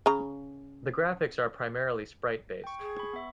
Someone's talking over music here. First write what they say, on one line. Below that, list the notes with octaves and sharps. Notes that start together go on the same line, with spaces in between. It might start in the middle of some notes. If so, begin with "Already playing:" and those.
The graphics are primarily sprite-based.
C#3 A#5
G5 C#6
G#4
B5 C#6
B3 E5